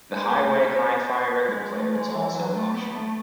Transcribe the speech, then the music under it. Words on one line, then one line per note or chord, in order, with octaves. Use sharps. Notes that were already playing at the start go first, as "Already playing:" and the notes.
The Highway Hi-Fi record player was also optional.
G#3
B3
A3
C#4
B3
G#3
A3
G#3
E3
F#3
A3
B3
A3